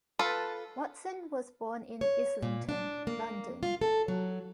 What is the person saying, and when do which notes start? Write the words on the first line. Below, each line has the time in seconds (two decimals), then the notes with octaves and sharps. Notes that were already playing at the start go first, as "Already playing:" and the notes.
Watson was born in Islington, London.
0.19 F4 A4 B4
2.01 C#5
2.42 A#2
2.69 D4
3.07 A#3
3.63 F4
3.81 A4
4.08 F#3